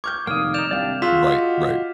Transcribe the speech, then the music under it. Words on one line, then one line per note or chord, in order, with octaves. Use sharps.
Right, right.
C#6 D6 F6 G6 G#6
F1 D#3 A#3 D#6 F6
D#4 D5 G6 E7 F7
C2 D4 G4 D5 F5
F4 F#4 G#4 E6 F#6 B6
F#4 D#5